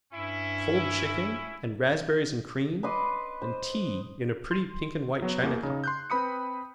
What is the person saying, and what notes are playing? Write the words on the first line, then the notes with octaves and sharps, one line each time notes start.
Cold chicken, and raspberries and cream, and tea in a pretty pink-and-white china cup.
G2 C#4 E4
B4 D#5 C6 D6
C5
C6
F#3 B3
E2 A#3
C#3 D#4
C6 F#6 G6
C4 B4 B5 D#6 C#7